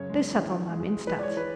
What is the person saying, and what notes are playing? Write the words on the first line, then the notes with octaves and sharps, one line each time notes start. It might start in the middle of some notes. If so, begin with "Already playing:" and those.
They sat on them, instead.
Already playing: F#2 C#3 C#5
G#3
E3
E3
G#3
G#3
G#3 B4
D5
C#5
E3
B4